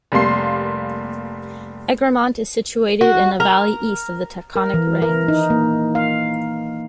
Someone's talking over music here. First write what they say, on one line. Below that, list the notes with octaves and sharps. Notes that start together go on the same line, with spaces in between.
Egremont is situated in a valley east of the Taconic Range.
F1 G3 A#3 C6 C7
F#4
A#4
A#4
E3
A#4
D#4
A#3
F5